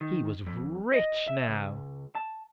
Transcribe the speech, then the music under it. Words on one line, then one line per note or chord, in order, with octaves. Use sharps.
He was rich now.
D#3
F2
D#5
E5
C#2
A5